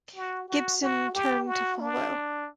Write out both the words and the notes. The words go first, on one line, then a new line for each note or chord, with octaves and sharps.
Gibson turned to follow.
F#4
F#4
F#4
G4
F#4
D4